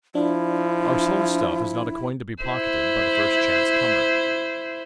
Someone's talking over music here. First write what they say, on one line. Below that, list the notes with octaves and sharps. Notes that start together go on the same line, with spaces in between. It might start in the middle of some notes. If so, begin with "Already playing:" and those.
Our soul stuff is not a coin to be pocketed by the first chance comer.
F3 D4 E4
E4 C5